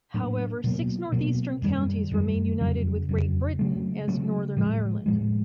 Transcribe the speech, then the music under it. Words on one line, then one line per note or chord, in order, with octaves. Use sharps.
However, six north-eastern counties remained united with Great Britain as Northern Ireland.
A2 F#3 A#3 D4
B2 F#3 A#3
B2 F#3 A#3
F#2 D#3 G3
F#2 D#3 G3
F2 C#3 F#3
F2 C#3 F#3
C#3 F#3 A3
C#3 F#3 A3
A2 F3 G#3
A2 F3 G#3